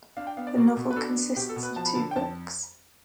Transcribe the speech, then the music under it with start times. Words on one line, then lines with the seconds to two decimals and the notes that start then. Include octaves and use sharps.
The novel consists of two books.
0.17 D4 F5
0.27 G5
0.37 B3 F5
0.47 D5
0.57 B2
0.77 B2
0.91 B4
0.96 D4 A4
1.17 B3
1.36 B2 G4
1.49 A4
1.56 B2
1.63 B4
1.76 F3 A5
1.86 B5
1.95 D3 A5
2.11 G5
2.16 F2 A5